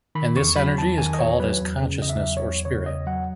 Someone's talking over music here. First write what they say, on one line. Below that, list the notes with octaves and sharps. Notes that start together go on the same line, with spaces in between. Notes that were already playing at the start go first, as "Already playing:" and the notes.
And this energy is called as consciousness or spirit.
D#3 B5
E2 C#6
F#3 B5
E2 A5
D#3 G#5
D#5
E2 C#5
F#3 B4
E2
C#3
E2 D#5
E5
F#3
C#5
E2
C#3 C#5
E2 D#5
F#3 F#5